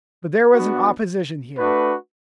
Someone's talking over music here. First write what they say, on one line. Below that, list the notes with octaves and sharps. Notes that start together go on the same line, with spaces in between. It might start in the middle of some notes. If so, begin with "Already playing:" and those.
But there was an opposition here.
B3 D4 F#4
A3 D4 F#4 B4